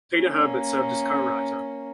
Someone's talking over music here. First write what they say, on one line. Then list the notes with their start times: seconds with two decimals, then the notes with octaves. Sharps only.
Peter Herbert served as co-writer.
0.20 A#3 C#4